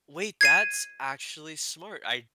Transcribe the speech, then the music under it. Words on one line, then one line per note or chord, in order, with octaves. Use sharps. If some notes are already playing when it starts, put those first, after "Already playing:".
Wait, that's actually smart. I
G#6 C7 D#7